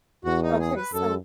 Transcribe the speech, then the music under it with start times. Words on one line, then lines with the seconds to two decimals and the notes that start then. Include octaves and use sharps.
Okay, so
0.25 E2 F#4
0.42 D#4
0.59 G#4
0.76 B4
0.93 F#2 A4